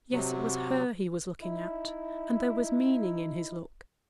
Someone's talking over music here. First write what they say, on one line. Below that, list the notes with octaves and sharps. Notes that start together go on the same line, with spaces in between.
Yes, it was her he was looking at, and there was meaning in his look.
C3 F#3
D#4 E4